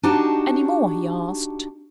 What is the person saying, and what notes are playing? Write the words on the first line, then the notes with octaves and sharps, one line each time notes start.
"Any more?" he asked.
D4 D#4 F#4 G4 A5